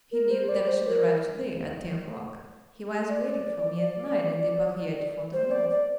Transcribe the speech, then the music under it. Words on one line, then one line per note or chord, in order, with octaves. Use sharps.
He knew, that I should arrive to-day at ten o'clock; he was waiting for me at nine at the Barriere de Fontainebleau.
A#4
C5
D5
C5
A#4
D5
C5
D5
D5